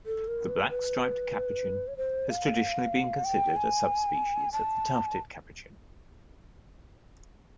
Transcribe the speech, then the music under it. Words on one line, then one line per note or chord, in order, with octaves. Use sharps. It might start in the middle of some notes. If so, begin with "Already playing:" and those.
The black-striped capuchin has traditionally been considered a subspecies of the tufted capuchin.
A4
A#4
B4
B4
C#5
C5
F5
G5
G#5
A5